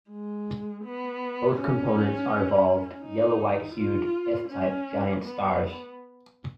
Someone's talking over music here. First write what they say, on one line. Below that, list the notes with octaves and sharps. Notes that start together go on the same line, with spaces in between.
Both components are evolved, yellow-white hued, F-type giant stars.
G#3
B3
C#4
D#4
F4
C#4
B3